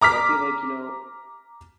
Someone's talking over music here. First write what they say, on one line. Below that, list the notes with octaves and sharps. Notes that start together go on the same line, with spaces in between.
but I feel, like, you know,
A#5 D6 F6 B6